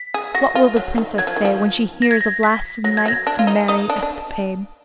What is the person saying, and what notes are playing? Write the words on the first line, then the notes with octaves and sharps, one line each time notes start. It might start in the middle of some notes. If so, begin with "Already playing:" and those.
What will the princess say when she hears of last night's merry escapade?
Already playing: B6
G#4
F#4 A#6
F4
F#3
D#3
F#3 G#6
F3
D#3
F3
A#6
G#6
A#6
B6
F#3 A#6
G#6
F#3 A#6
D4
F4
D#4
D#4 D#6
D4
D4